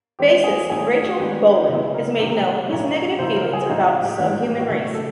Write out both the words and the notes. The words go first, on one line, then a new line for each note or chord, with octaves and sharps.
Bassist Rachel Bolan has made known his negative feelings about "Subhuman Race".
E3 G#3 C4 G4
G#4
D#3 F#3 A3 C#4 E4 G#4
F#4
D#3 G#3 B3 D4 G4
C#3 F#3 B3 E4
A#4
C3 D#3 F#3
A#2 F3 A#3 C#4 E4
C#3 F3 A#3 C#4 E4 C5
A#4
G#4
A2 F3 A#3 D#4 F#4
G4
G4
A2 E3 G#3
F#4
C#3 F#3 A3 G4
A4